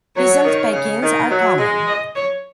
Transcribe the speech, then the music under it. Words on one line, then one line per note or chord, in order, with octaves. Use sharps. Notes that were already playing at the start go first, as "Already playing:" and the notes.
Frizzled Pekins are common.
F#3 C#5
D#3
C#3
D#3
F#3
G#3
D#5
C#5